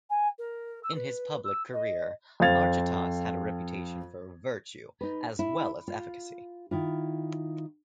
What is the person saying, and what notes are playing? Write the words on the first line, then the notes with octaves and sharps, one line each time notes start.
In his public career, Archytas had a reputation for virtue as well as efficacy.
G#5
A#4
E6
B4
E6
D#5
F2 C5 F5 G#6 A6 F7
D#4 B4
E4
F4
D#3 E4 F4